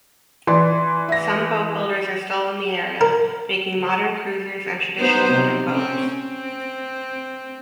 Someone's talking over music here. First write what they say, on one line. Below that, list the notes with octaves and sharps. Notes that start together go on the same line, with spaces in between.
Some boatbuilders are still in the area, making modern cruisers and traditional wooden boats.
E3 D5 C6
E5 A#6
A#4
B3 D#4 C5
C3
C4 C#4
C4